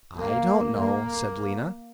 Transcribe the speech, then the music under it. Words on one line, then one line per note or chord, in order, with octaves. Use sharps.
"I don't know," said Lena.
A#3
A#3